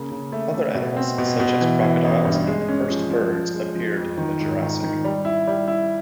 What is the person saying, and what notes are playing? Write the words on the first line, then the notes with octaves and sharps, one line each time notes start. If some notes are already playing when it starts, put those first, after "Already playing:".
Other animals, such as crocodiles and the first birds, appeared in the Jurassic.
Already playing: C#3 A#3
C#3
A3
A3
B2
C4
B2
B2
E3
E3
A1
G2
G#3
C#4
F3
F3
F3
G#3
F3
F2
D#3
G#2
D#3
D#3
G3
E4
G3
E4